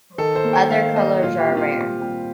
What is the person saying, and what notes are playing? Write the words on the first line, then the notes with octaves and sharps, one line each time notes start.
Other colors are rare.
D#3 A4
C5
A#3
G5
D#3 F5
A#3 D#5
A#2 F4
G4
G3 C4
F4
A#2
G3 C4